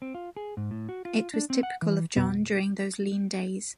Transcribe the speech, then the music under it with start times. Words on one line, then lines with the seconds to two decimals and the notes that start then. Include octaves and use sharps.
It was typical of John during those lean days.
0.02 C4
0.15 F4
0.37 G#4
0.57 G#2
0.71 A2
0.89 F#4
1.05 F4
1.34 D4
1.50 C4
1.63 F#5
1.82 E3
2.16 F2 B2 B3